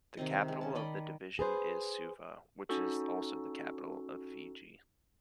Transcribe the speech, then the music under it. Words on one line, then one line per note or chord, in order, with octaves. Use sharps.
The capital of the division is Suva, which is also the capital of Fiji.
C3 D#3 C4 D#5
G#3
C#4 A5
D#3 D5 D#5 B5
G#4 B4 C5
C#4 D#4 F#4 A4